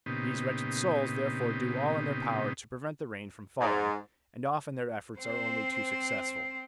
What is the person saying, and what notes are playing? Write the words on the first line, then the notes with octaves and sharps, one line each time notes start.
These wretched souls, therefore, do all in their power to prevent the rain from falling, and often their efforts are only too successful.
A#2 C#3 B3 C4 D#4 G4
G#2
C4 C5